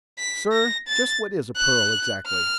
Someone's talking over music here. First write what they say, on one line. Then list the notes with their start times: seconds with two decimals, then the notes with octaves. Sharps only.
"Sir, just what is a pearl exactly?"
0.18 B6
0.52 A#6
0.88 A6
1.57 F#6
2.27 F6